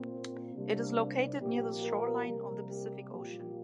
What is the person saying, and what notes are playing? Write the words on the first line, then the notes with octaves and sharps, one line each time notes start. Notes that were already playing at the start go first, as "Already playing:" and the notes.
It is located near the shoreline of the Pacific Ocean.
Already playing: A#2 A#3 C4
C3 G3 A#3 D4
A#2 F3 A#3 G4
A#4
C3 G3 A#3 A#4
G4
A#2 F3 A#3 G4